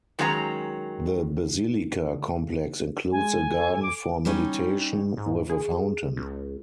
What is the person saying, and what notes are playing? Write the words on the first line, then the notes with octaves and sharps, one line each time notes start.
The basilica complex includes a garden for meditation, with a fountain.
D#3 F#3 G#3 C#4 D5 A#5
G#3 G#5
A4
D6
G3 C#4 D#4 C#5
G#2
G#4
C#2